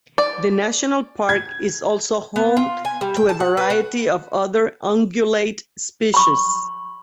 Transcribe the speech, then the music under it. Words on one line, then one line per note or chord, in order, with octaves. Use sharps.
The national park is also home to a variety of other ungulate species.
D5
G#6
B3
F4
G#5
G3
G5
A5
F#5
B4
F#4
B5 C#6